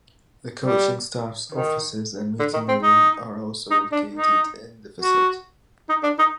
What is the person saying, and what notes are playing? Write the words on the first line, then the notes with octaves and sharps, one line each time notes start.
The coaching staff's offices and meeting room are also located in the facility.
G3
D#3
D3
D#3
C4
D#4
D#4
D4
D#4
F#4
D#4
D4
D#4